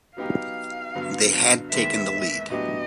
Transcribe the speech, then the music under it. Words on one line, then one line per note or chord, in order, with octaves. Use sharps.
They had taken the lead.
F#3 B3 D#4 G4 F5
G2 D3 F#3 B3
D#2 D#3 G#3 B3 E5
A2 F#3 B3 D4 G4 D#5